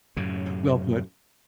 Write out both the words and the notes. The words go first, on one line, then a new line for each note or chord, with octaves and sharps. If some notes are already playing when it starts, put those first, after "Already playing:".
Well put.
F#2 A2 C#3